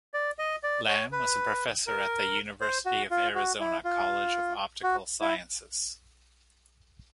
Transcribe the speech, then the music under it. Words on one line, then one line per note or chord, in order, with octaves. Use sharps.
Lamb was a professor at the University of Arizona College of Optical Sciences.
D5
D#5
D5
C#5
B4
A#4
C5
F#4
F4
F#4
E4
F4
F#4
E4